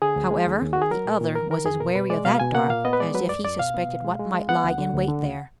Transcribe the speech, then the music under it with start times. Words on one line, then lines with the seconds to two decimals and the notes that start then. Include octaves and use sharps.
However the other was as wary of that dark as if he suspected what might lie in wait there.
0.02 D3 G#4
0.16 D2
0.31 G#3
0.47 D#2
0.62 D#2
0.73 D#3 F#4
0.82 G#4
0.91 F#3 A#4
1.06 A#2
1.21 A#2
1.35 D#3 A#4
1.51 D#3 A#4
1.66 F2 G#4
1.80 B2 A#4
1.95 B2 B4
2.10 G#3 D5
2.25 B2 F5
2.40 B2 G#5
2.55 A#3 F#5
2.70 A#2 F5
2.85 B3 D#5
2.93 B4
3.00 G#3 D5
3.15 F#3 B4
3.29 F#2 D5
3.45 F#2 D5
3.59 B2 F5
3.74 B3
3.89 B2
4.04 G#3
4.20 G#3
4.34 G#3
4.49 B3 F#5
4.64 D2
4.78 D3
4.93 D2
5.08 D3
5.23 D2